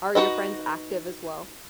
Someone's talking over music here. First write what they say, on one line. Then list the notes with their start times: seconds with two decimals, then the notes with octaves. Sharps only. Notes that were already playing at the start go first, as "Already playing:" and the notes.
Are your friends active as well?
0.15 D#4 F#4 B4 D#5